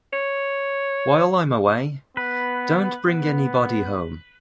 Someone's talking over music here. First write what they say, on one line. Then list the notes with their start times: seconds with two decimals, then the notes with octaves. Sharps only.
While I’m away, don’t bring anybody home.
0.13 C#5
2.17 B3 B4
3.06 B3